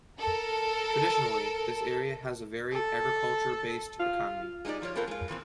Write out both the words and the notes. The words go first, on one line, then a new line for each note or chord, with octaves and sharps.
Traditionally, this area has a very agriculture-based economy.
A4 A#4
A4
F4
G#3 A#3 D#4 G4 D5
F3 F4 C#5
A3 B3 C4 F4 A#4
G#3 F4
A#2 E3 A#3 C4